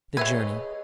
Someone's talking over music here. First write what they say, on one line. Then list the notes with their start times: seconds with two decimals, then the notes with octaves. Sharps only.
The Journey.
0.17 G#4 B4 C#5 D#5 E5 E6 G#6